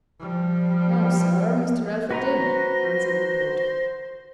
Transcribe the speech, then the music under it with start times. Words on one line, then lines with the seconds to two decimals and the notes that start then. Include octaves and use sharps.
"No, sir, Mr. Elphick didn't," answered the porter.
0.19 F3 G3
2.11 F#4 B4 C5 A#5 A#6